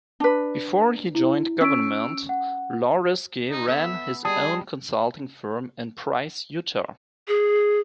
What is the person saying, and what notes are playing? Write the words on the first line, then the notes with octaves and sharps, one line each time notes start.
Before he joined government, Lauriski ran his own consulting firm in Price, Utah.
D4 B4
E4
C#4 E6 D7
F#5
D#4
B3 A4 E5
G3 G#4 D#5 A5 D#6
G#4